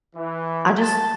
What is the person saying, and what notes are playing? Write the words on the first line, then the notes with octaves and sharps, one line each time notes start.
I just
E3
A5